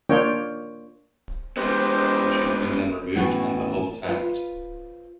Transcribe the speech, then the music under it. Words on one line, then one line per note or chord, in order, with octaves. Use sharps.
The tube is then removed, and the hole tamped.
A#3 D4 F4 C#5 G5
G#3 B3 G4 C5 D#5
A2 E3 B3 C#4 F#4
F4 B4